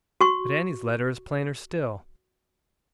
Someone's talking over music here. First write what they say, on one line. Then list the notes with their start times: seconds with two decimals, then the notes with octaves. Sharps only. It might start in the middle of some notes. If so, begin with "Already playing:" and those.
But Annie's letter is plainer still.
0.21 F#4 C#6